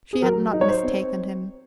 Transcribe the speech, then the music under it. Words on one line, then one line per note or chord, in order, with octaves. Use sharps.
She had not mistaken him.
G#4
F#3 A#4
D#4
C#5
C5
C4